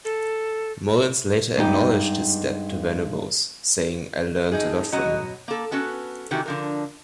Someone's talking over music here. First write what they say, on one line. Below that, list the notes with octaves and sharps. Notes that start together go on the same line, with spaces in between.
Mullins later acknowledged his debt to Venables, saying, I learnt a lot from him.
A4
G2 G#3 B3 D#4 G4
A2 D#4 G#4
B2 F#3 C#4 F#4 D#5 A#5
A#3 A4
B3 C#4 F#4 A4 B4
C3 D#3 E3 F#4 G4
D3 F3 A#4